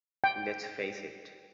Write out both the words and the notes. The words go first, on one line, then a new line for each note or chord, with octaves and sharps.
Let’s face it!
G5